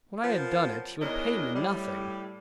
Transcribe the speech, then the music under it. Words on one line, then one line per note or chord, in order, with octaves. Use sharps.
When I had done it, he would pay me nothing.
F3 B3 C#4 A#4 F5
E2 D4 A#4 C#5 D#5
A2 G3